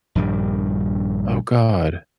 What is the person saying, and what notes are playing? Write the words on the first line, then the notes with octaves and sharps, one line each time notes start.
Oh god.
A#1 G2 D#3 G3